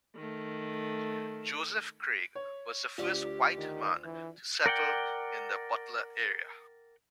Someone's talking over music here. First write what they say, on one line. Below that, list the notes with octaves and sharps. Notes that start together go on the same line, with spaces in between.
Joseph Craig was the first white man to settle in the Butler area.
D#3 A3
C#5
D2 F4 G4 D5
D#3
E3
A#4 D5 F#5 G5